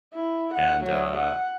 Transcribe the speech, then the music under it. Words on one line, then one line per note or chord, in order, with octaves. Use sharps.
and, uh
E4
F#5
F#3
F#5